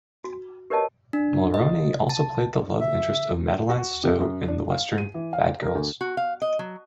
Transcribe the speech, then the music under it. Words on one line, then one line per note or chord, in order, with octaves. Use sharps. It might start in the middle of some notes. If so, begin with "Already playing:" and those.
Mulroney also played the love interest of Madeleine Stowe in the western "Bad Girls".
F#4
G4 A#4 B4 C#5 D#5 A5
D4
D#5
A5
E5
F#4
C3
F#2
D4
F5
D#7
E3
F5
A#4
D2
F#4
F5
D#5
F#3